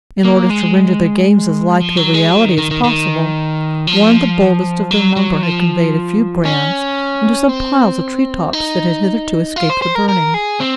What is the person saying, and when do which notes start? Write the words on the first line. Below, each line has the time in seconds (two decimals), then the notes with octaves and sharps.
In order to render their games as like the reality as possible, one of the boldest of their number had conveyed a few brands into some piles of tree-tops that had hitherto escaped the burning.
0.25 A#3
0.50 G#3
1.80 F3
1.97 F#3
2.14 G#3
2.31 F#3
2.45 D#3
2.58 D#3
2.71 D#3
2.84 D#3
3.87 F3
4.91 F#3
5.16 F#3
5.43 F3
6.45 C#4
7.49 C4
8.53 D#4
9.56 F4
9.70 C5
9.82 C5
9.95 A#4
10.09 A#4
10.34 G#4
10.60 C4